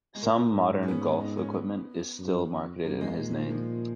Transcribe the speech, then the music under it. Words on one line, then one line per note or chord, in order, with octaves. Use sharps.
Some modern golf equipment is still marketed in his name.
G#3
A#2 A#3
G#2
C#4
B3
C#4
D#4
C#4
B3
F#2
F2
F#2 A#3
G#3
A#2
D#3
F3